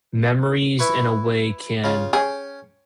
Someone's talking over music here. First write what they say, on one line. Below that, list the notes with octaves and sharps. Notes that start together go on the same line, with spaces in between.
memories in a way can
E4 B4 C#6
C#3 F4
C#4 G#4 G5